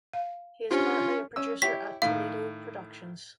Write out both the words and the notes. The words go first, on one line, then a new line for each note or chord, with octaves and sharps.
He is currently a producer at Toledo Productions.
F5
C#4 D4 F4 G4 C5
C#4 E6
E4 G4 C#5 B6
A2 D#3 F5